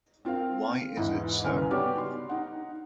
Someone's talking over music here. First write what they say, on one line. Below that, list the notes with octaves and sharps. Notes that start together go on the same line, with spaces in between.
Why is it so?
C4 F4 A#4 F5
E2 G#2 E3
C2 C#3 B4 G#5 F6
B3 D#4 F#4 G4 C#5 D5
C6
D#4 F#5